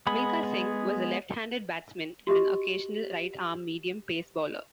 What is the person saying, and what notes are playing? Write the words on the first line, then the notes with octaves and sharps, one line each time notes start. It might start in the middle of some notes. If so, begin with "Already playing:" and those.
Milkha Singh was a left-handed batsman and an occasional right arm medium pace bowler.
G#3 B3 G#4 B5
F#4 G4 D#5